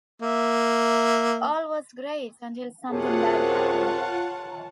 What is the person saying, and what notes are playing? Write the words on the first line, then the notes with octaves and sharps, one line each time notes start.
All was great until something bad happened.
A#3 E5
F#2 C3 F4 G#4 C#5 F#5 A5